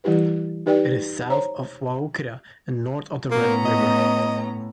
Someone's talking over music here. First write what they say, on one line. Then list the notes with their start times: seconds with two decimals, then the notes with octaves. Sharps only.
It is south of Waurika and north of the Red River.
0.04 E3 G3 E4 G4 B4
0.66 D#4 G4 B4 D5 G5
1.30 C5 C#5 A#5
3.31 A2 A#3 B3 C#4 A#5
3.65 D#5